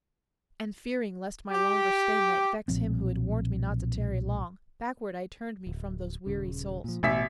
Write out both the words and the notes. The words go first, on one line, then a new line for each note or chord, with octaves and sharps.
And fearing lest my longer stay might vex Him who had warned me not to tarry long, Backward I turned me from those weary souls.
G4
B1 A#2 F3 C4
D1
D#1 C#3
A#2 F3
A1 B2 E5 B6